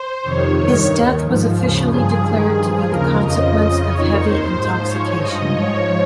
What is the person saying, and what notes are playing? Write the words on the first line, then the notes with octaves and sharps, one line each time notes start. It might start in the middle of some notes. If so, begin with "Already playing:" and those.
His death was officially declared to be the consequence of heavy intoxication.
Already playing: C5
F2 C3 D#3 C#5
G2 D#3
D#2 D#3
G#2 F3
D#2 C#3 F3
G2 F3 G#4
G2 D#3
G2 F3 G#4
D#2 C#3 F3 A#4
F2 C#3 F3 D#5
F2 C#3 F3
F2 D#3 C#5
D#2 D#3 C5
G#2 F3
G#2 F3 C#5
G2 F3 D#5
G#2 F3 C#5